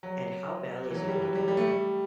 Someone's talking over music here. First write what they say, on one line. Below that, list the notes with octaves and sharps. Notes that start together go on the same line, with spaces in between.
And how badly is it going to hurt?
F#3
E3
F#3
G3
F#3
G3
G3
A3
G3